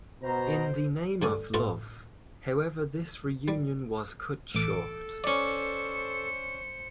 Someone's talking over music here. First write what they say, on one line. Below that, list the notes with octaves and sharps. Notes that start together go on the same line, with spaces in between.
In the Name of Love, however this reunion was cut short.
B2 C5 A#5
G2 D3 G#5
A2 B3 F4 F#4
G3
A1 A4 D6
C#4 C5 D5 C#7